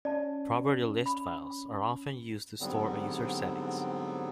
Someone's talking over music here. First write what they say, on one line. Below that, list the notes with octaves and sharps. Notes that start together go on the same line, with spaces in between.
Property list files are often used to store a user's settings.
C#4 D5 A5
B5
G#2 D3 F#3 G3 B3 C4